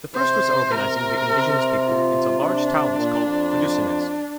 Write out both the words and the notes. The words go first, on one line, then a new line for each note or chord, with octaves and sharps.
The first was organizing the indigenous peoples into large towns called "reducciones".
C3 C5
C3 A#4
C3
C3
F4
C3 D4
A#2
F2